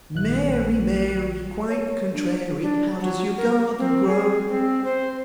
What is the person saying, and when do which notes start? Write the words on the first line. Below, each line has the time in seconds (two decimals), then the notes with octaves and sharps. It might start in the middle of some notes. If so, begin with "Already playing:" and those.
Mary, Mary, quite contrary, How does your garden grow?
0.15 A#1 D#3 F#6
1.68 C#5
2.13 D4
2.62 D4
3.00 F#3
3.38 A#4
3.78 C4
4.07 G#4
4.48 C4
4.84 C5